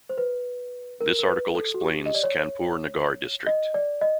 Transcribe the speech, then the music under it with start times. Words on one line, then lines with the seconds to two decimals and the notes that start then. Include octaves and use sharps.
This article explains Kanpur Nagar district.
0.10 C5
0.18 B4
1.01 A#4
1.19 A#4
1.28 B4
1.55 A4
1.74 F#4
1.82 G4
2.06 D#5
2.15 D5
2.23 C#5
3.47 D#5
3.74 D5
4.01 D#5